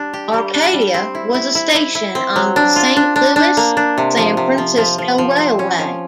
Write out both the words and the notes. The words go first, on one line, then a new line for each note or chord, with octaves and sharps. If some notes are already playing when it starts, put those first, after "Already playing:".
Arcadia was a station on the Saint Louis-San Francisco Railway.
Already playing: G3 D4
G4
G3
D4
G3
C4
E4
E4
E4
E4
E4
C4
F#3
D4
F4
D4
D4
D4
A#3
D4
C3
F3
C3
F3
F3
F3
F3
C4
C#4
F3